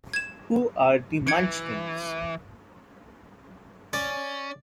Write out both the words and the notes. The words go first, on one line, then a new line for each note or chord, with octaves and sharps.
Who are the Munchkins?
G#6 E7
E3 G#6 C#7 D7
C#4 D5